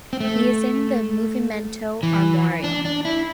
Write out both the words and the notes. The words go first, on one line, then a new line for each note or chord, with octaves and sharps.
He is in the "Movimento Armorial".
C4
A3
E3
D4
D4
E4